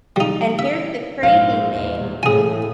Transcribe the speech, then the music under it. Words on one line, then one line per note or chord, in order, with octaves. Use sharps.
and here's the crazy thing,
G3 D#4
E5
A#1 G#2 F5
E2 A#2
A2 G#4 G#5